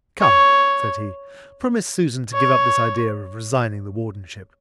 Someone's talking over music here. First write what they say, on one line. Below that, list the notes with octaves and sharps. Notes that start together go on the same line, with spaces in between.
"Come," said he, "promise Susan to give up this idea of resigning the wardenship."
C#5
C#5